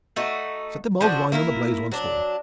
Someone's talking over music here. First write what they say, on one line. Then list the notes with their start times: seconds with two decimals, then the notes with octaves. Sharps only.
Set the mulled wine on the blaze once more!
0.16 A3 D#4 F#4
1.01 F3 C4 D4 F#4
1.32 A#3 E4 F#4 A#4
1.92 F#3 D4